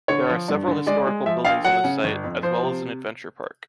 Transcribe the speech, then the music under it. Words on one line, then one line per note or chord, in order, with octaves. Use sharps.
There are several historical buildings on the site, as well as an adventure park.
D3 C#5
F3
G2
D3
G#3 D5
G#3
F3 E5
A#1 F5
F#3 F#5
C#3
G1
F2
F3 C5
C3